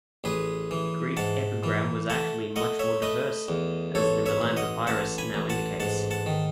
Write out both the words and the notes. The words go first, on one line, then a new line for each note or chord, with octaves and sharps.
Greek epigram was actually much more diverse, as the Milan Papyrus now indicates.
A1 G#4 B4
E3
G#2 F#5 A5
E3
A3 F#5 A5
A3 D#5 F#5
C#5 E5
A3 B4 D#5
E2
A1 A4 C#5
C#5 E5
A1
D#5 F#5
A1 F#5 A5
G#5 B5
A1
F#5 A5
G#2 F#5 A5
F#5 A5
D#3